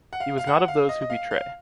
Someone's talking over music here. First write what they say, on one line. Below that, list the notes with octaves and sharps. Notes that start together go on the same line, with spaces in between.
He was not of those who betray.
F#5
F5
F5
F#5
F5
D#5
D#5
F5
F5